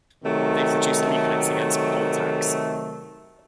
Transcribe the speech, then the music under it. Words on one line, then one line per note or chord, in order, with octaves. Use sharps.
They produced leaflets against the poll tax.
C3 D#3 F#3 A3